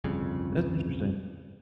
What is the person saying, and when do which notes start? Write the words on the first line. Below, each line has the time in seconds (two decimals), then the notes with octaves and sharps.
That's interesting.
0.04 G1 C2 F2 C#3